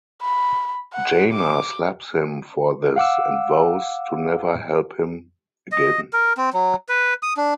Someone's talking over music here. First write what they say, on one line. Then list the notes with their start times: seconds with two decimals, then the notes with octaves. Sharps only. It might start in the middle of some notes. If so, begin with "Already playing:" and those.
Jaina slaps him for this and vows to never help him again.
0.22 B5
0.94 F#5
1.33 D6
2.96 F5 F#5 D6 E6
5.72 D#5
6.13 A#4
6.37 C4
6.53 F#3
6.89 B4
7.23 D#6
7.37 D4